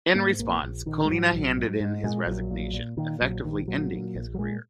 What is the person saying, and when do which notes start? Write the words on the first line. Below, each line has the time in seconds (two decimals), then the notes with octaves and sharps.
In response, Collina handed in his resignation, effectively ending his career.
0.15 G#2 A#3
0.39 A#1 A#3
0.63 A#1
0.86 A#1 D#3
1.05 G#3
1.09 G#2 F#3
1.33 A#1
1.57 G#2
1.80 G#2
2.04 A#2 G#3
2.27 A#1 F#3
2.51 A#2
2.74 A#2
2.97 A#2 D#3
3.21 A#1 F#3
3.44 A#1 D#3
3.68 A#2 F#3
3.92 A#2
4.15 A#1
4.34 F#3
4.38 A#2 G#3